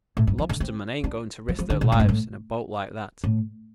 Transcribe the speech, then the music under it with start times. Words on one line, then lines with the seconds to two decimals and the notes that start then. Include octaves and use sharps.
Lobstermen ain't going to risk their lives in a boat like that.
0.17 A2
0.27 G2
0.38 F3
0.49 D3
0.60 C4
1.04 D4
1.48 F3
1.59 F3
1.70 D3
1.81 A#2
1.92 A2
2.00 G2
2.09 A2
3.24 A2